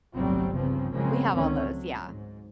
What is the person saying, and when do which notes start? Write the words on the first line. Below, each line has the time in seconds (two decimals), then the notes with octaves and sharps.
we have all those, yeah.
0.14 G1 C2 A2 F#3 G3 C4
0.53 G2 C#3 F3 C4
0.93 C#3 F3 F#3 G#3 A#3 C4
1.34 C#2 D3 D#3 A3 C4 C#4
1.64 F#3
2.08 G#2